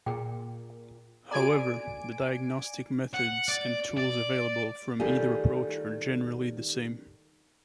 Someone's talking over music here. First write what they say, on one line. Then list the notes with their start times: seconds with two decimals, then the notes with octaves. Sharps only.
However, the diagnostic methods and tools available from either approach are generally the same.
0.06 A#2 G#4 G5
1.31 F#4 A4 D5 G#5 A#5 D7
3.14 F#5
3.48 D5
3.97 D5
5.00 D#3 G3 A3 F4 G4 G#4